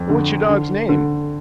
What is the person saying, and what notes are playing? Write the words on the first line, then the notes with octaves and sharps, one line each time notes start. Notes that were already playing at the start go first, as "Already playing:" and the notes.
"What's your dog's name?"
Already playing: F2
D3
D3
D3